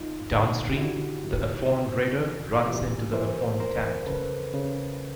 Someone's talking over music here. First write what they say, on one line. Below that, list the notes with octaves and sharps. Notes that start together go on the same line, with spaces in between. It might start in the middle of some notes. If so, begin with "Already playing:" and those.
Downstream, the Afon Rhaeadr runs into the Afon Tanat.
Already playing: F#2 D#4 F4
D3
G4
D3 E4 F#4
F#2
C#3
E3
E3 F4 G4
E3 A#4 C5
E2 A#4 C5
C#3 A4 B4
C#3